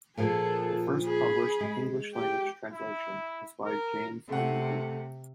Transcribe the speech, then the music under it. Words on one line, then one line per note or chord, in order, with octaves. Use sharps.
The first published English-language translation was by James E. Irby.
A#2 F3 A#3 G#4 A4
G#4 B5
G#3
G4 G5
E4
A#4
C3 A3 F#5